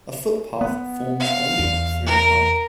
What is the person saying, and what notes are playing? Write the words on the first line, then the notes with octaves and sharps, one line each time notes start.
A foot path forms a loop through the park.
B3
F5
E2
A#4